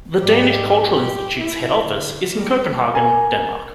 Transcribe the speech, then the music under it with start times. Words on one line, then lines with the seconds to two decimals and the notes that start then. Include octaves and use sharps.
The Danish Cultural Institute's head office is in Copenhagen, Denmark.
0.22 G#2 G4 D5
0.83 G4
1.38 E4
1.82 D3
2.32 G3 A#3
2.94 A#4 G#5